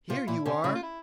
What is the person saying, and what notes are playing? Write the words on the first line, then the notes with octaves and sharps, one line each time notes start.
"Here you are!"
C3 F4
A#2 E4
C3 C#4
C#3 E4
F4
E4